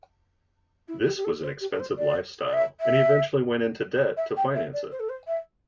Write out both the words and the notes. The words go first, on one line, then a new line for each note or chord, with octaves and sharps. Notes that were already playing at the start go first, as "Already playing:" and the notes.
This was an expensive lifestyle and he eventually went into debt to finance it.
E4
G4
G4
A4
C5
G4
A4
C5
D5
D5
E5
E5
E5
G5
E5
D5
C5
A4
C5
E5